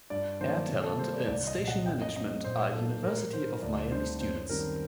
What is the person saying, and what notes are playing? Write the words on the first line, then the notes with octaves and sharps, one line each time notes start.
Air talent and station management are University of Miami students.
G2 D5
D#3 F#3 A#3 D4 C5
C3
A4
G3 A#3 C5
D5
C2 D5
D#5
A#2 F#3
F#5
F#2 G5
D#5
F#3 C4 D#5
A#2 C5
F#3 A#3 D#4 A4
A2 A#4
F#3 A3 D#4 C5
D2 D5
D3 G3 C4 D#4 C5
F#2 C5
D#3 G3 C4 A#4